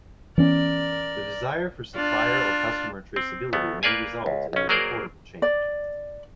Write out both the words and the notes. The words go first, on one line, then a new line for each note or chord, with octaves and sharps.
The desire for supplier or customer traceability may result in a reportable change.
E3 B3 C#4 A#4 D5
D4 F4
C4
D2 A3 B3
A#3 B4 D5 F5 G#5
C#2
B1 C#4
F#3 A#3 G#4 A#4 C5 D5
D5